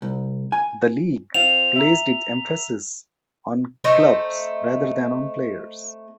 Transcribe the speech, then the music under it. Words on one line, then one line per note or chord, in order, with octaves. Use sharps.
The league placed its emphasis on clubs rather than on players.
C2
G#5
C4 F4 F7
E5 A#5
A3 C4 D#4